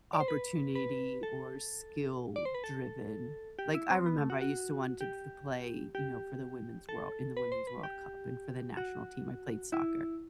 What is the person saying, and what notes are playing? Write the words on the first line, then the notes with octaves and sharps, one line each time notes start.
opportunity or skill-driven. Like, I remember I used to wanted to f play, you know, for the Women's World in the Women's World Cup, and for the national team I played soccer.
D5
C5
B4
B4
A4
D5
C5
B4
A4
G4
E4
C4
B3
A3
F#4
F#4
G4
G4
A4
B4
C5
B4
G4
F#4
E4